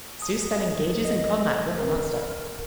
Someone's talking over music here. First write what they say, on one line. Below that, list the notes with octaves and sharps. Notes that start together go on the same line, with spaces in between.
Zeus then engages in combat with the monster.
D#6
D#5
A#4